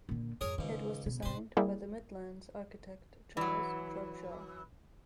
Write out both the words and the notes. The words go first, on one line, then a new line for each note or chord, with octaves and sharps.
It was designed by the Midland's architect Charles Trubshaw.
A#2 D3
F2 G#2 G#4 A#4 C#5
C#2 G#2 D#3
B2
G#2 C3 B4 C5
G3 A#3 E4 G#4
E3 F#3